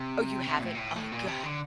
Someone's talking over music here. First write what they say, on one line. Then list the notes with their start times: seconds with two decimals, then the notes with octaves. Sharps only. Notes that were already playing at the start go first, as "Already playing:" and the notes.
Oh, you haven't? Oh, god,
Already playing: C3
0.48 C3
0.57 A#2
0.64 A2
0.75 A#2
0.79 A2
0.96 A2
1.12 A#2
1.27 C3
1.44 D3